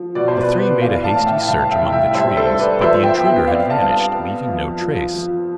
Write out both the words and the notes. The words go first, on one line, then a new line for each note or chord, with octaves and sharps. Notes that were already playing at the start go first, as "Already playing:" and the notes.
The three made a hasty search among the trees, but the intruder had vanished, leaving no trace.
Already playing: F3
B2 D5
C5
B4 D5
B3
E3 D5 F5
F5 A5
A2
E5 G5
C2 F5 A5
E5 G5
C2
E5 G5
G3 C5 E5
A4 C5
G2
B4 D5
F3 C5 E5
E5 G5
B3
E5 G5
C4 D5 F5
F5 A5
G2
F5 A5
B3
F2
F3
F3